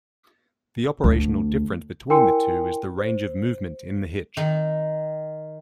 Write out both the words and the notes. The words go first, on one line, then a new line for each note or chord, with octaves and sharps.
The operational difference between the two is the range of movement in the hitch.
D2
E4 A#4 G5 G#5 C6 C#7
C5
D#3